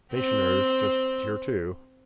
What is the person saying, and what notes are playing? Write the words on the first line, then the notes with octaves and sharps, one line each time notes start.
Stationer's just here too.
C4